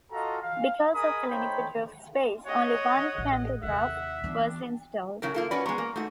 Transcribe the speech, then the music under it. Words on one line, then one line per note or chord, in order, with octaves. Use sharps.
Because of the limited roof space, only one pantograph was installed.
F4 F#4 A4 D#5 F5 A#5
F5
G#4 A#4 D#5 G#5 B5 D#6
A3 D#4 C5 C#5 G5 B5
C#5 D#5 F#5
A1
D#2 C3 E5 F#5
E3 B3 D4
A2 C#3 F#3 A#4
A#3 F4 A4
C#4 F#4 B4 D5 B5
G#3 B3 A#5 C6 C#6
A#3
G#2 A3 F#4